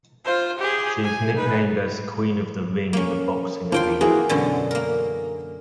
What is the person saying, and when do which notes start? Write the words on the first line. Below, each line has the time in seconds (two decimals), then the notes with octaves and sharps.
She is nicknamed as "queen of the ring" in the boxing arena.
0.25 F4 C5
0.59 G4 G#4
1.04 G#5
1.35 D#4 B4
2.93 A#3 C#4
3.72 F3 A#3 G5 C6
4.01 E3 A#3 F#4 G#4
4.29 F#2 B2 D3
4.71 A#3 A#4